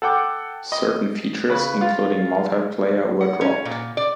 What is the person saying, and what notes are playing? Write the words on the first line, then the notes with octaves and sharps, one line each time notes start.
Certain features, including multiplayer, were dropped.
A4 F#5 G5 D6
D#5
C#3 B4
F4
F#5
C#4
A#2
D5